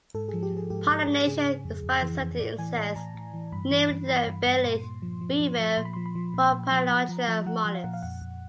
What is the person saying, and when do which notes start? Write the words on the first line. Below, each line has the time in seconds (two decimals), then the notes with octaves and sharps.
Pollination is by certain insects, namely the belid weevil "Rhopalotria mollis".
0.14 G#2 A4
0.28 F3 G#4
0.43 G4
0.52 F3
0.57 G#4
0.70 G#2 G4
0.89 G#2
1.08 G#2
1.27 C#3 G#4
1.46 C#3
1.65 F2
1.83 F2
2.02 E3
2.21 F2
2.39 A2 D5
2.58 E3 G#5
2.77 A2 A5
2.96 A2 A#5
3.15 A2
3.34 E3
3.52 G2 B5
3.71 E3
3.90 G2
4.09 E3 B5
4.27 G2
4.46 G2
4.65 A#2 C6
4.84 A#2
5.02 F3
5.21 F3
5.40 F3
5.59 F3
5.77 A#2 C6
5.85 B5
5.93 F3 C6
6.06 B5
6.15 F3
6.34 A#2
6.53 A#2
6.71 F3
6.90 F3 A#5
7.09 F3
7.28 F3
7.46 F3 F#5
7.65 F3
7.75 F5
7.84 A#2 F#5
7.93 F5
8.02 F2 F#5
8.22 F2